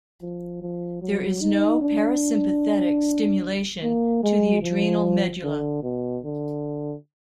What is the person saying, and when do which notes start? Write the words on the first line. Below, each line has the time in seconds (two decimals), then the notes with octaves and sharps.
There is no parasympathetic stimulation to the adrenal medulla.
0.22 F3
0.62 F3
1.02 F#3
1.41 D#4
1.82 D4
3.83 A#3
4.23 G#3
4.63 F3
5.43 D3
5.83 B2
6.24 D3